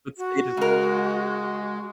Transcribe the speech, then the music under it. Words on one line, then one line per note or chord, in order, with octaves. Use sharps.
what state is that?
F#4
C#3 G#3 A#4